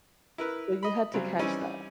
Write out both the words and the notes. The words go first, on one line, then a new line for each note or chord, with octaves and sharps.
So you had to catch that,
E4 A#4 B4
D#5 B5
C#3 F#3 G3 C4
E3 G3 C4 C#4 D#4 E4